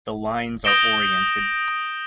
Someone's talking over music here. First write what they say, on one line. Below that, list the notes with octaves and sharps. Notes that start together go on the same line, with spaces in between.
The lines are oriented.
D#6 G6 A#6 D7 E7 G7